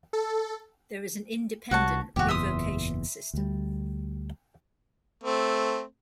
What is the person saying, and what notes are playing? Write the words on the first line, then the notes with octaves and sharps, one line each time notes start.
There is an independent revocation system.
A4
C2 F#4 C#5 A5
F#1 E2 A#2 F#4 G4
E5 C6 D#6
D2 G3
A3 C4